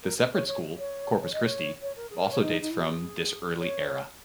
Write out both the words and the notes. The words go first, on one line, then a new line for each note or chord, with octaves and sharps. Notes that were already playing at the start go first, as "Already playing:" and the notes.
The separate school, Corpus Christi, also dates from this early era.
A#4
B4
C#5
C#5
C#5
C#5
D#5
C#5
C#5
A#4
G#4
A#4
C#5
D#4
D#4
E4
F#4
G#4
C#5